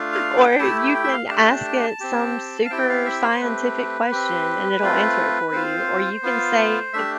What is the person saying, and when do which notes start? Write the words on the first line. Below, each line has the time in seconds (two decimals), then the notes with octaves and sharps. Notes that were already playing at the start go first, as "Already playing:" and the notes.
Or you can ask it some super scientific question, and it'll answer it for you, or you can say,
Already playing: A3 D4 F4
0.12 F5
0.36 G5
0.59 A3 E4 G4 A5
0.94 G5
1.04 E5
1.13 F5
1.29 A3 D4 G4 A5
2.00 C4 G4
2.65 F5
2.70 C4 E4 G4 G5
2.89 F5
3.06 E5
3.23 C5
3.41 A3 C4 G4 B4
4.12 C4 G4
4.82 A3 C4 F4
5.52 C4 F4 C5
6.23 B3 F4
6.93 A3 D4 G4 E5